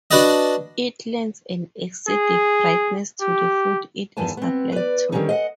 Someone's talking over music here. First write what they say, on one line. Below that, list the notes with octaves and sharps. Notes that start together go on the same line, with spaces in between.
It lends an acidic brightness to the foods it is applied to.
D4 F#4 B4 D5 D#5
G#4
G4
E2 G2 D#3 B3 G#5 A5
B3 C4
B4 D5
D3 D#3 G3 G#3 C#4 D#4
D#5 F5 F#5